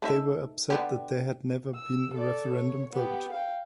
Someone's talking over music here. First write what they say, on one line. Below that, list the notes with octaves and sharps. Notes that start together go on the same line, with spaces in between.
They were upset that there had never been a referendum vote.
A3 D#4 E5
D3 B3 G4
E6
A4 D5
C#5
B3 G4
F5 G5